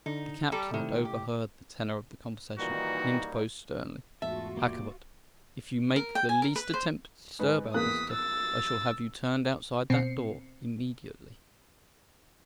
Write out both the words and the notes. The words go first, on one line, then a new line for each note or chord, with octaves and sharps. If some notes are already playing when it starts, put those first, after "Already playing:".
The captain had overheard the tenor of the conversation, and interposed sternly, "Hakkabut! if you make the least attempt to disturb our visitor, I shall have you turned outside that door immediately."
D3 D#4
G3 A4 A#5 B5
C3 D#3 A3 E4
G4
A#2 D#3 E3 G3 A#3 D#4 F#4
E2 G#2 A3 F4 F#4 E5 A5
A#3 G4 D5
A#4
G5
G#5
A#4
B4
C5
G#2 B4
E2 A#3 D#6 F#6 B6
E6 A6
B2 C4 C7 C#7